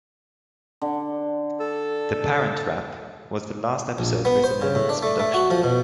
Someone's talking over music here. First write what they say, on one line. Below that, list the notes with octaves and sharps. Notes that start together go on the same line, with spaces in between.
"The Parent Rap" was the last episode written in its production line.
D3
A4
A#1
B3
C5
C#3
A2
D4
A3
A3
F#4
F3
B2